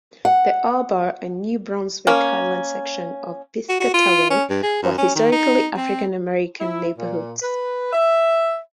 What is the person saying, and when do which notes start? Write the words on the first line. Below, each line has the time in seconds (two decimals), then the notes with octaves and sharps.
The Arbor and New Brunswick Highland sections of Piscataway were historically African American neighborhoods.
0.25 F#5
2.07 A#3 C#4
3.69 F#4
3.80 F#4
3.94 F4
4.30 C#4
4.50 G2
4.63 G#4
4.83 F#2
4.98 C#4
5.15 D#3
5.32 D#4
5.77 C4
6.60 E4
6.98 A#2
7.41 B4
7.92 E5